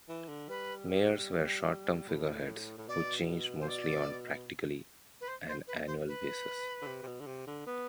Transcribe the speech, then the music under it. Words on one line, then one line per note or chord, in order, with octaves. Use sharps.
Mayors were short-term figureheads who changed mostly on practically an annual basis.
E3
D3
G3 B4
A2
A2
B2 D5
C5
D5
B4
C5
C5
B4
C5
B4
D3
C3
C3
B2
D3
C3
D3
B3